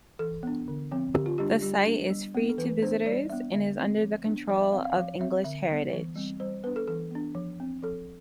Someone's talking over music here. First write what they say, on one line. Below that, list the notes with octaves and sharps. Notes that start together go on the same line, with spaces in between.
The site is free to visitors and is under the control of English Heritage.
E3 A4
B3 D4
D3
F3 C4
D3 G4
F4
G3 D4 G4
G3 G4
B3 D4
G3
B3 D4
A4
E3 B4
B3 D4 C5
G3 D5
B3 D4 E5
D3 E5
A3 C4
F3
B3 D4
F3 D5
E5
C4 F5
F5
F3 F5
C4 E5
D3 E5
G3 B3
E3
G3 C4
G3 C5
B3 D4 B4
A4
E3 A4
B3 D4
F3
C4
F3 A4